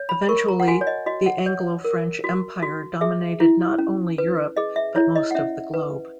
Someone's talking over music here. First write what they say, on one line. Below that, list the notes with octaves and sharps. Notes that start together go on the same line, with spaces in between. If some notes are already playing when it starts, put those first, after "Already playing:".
Eventually, the Anglo-French Empire dominated not only Europe but most of the globe.
Already playing: C#5
B5
A#4 C#6
A#5
F#5
F#4 G#5
C#5
D#5
F#4 D#5
F#5
C#5
A#4
F#4
F#4
G#4 E5
E4
C#4
B4
G#4 D#5
E5
E4 C#5
D#5
F#5
C#4 E5
B4